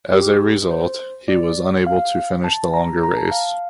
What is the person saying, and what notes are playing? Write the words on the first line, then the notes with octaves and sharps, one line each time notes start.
As a result, he was unable to finish the longer race.
G4
C5
D5
F5
A5
A#5
A#5
A5
F5